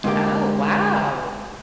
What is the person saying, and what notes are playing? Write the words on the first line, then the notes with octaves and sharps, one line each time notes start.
Oh, wow.
G#2 D3 A#3 G4